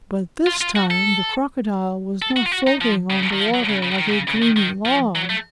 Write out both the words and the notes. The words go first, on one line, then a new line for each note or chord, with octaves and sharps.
But this time the Crocodile was not floating on the water like a greeny log.
F4
F4
F#4
A4
A4
F#4
F4
F#4
D#4
F3
C#3
D#3
F3
F#3
C#3
C#3
D#3
C#3
C#3
D#3
D#3
F3
F#3
A3